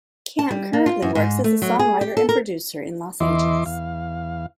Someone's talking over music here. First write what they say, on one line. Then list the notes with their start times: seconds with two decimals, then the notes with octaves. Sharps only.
Camp currently works as a songwriter and producer in Los Angeles.
0.39 A5
0.51 G3
0.73 A#3
0.86 F4
1.02 F#2
1.15 G#2
1.44 A3
1.62 F#3
1.79 G#4
2.01 G4
2.17 A4
2.29 A#4
3.20 E2 E3 D#5 E5 C6 D6
3.66 E2 F5